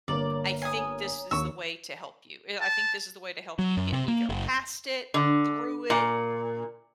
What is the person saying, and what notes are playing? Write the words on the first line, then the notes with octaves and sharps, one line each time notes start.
I think this is the way to help you. Eh, I think this is the way to help you get either past it, through it,
G1 A#3 C#5 D5 A#5
G#5 D#6
D#2 C#6 E6
A5
F#3
F#2
C3
A#3
F#1
D3
A#2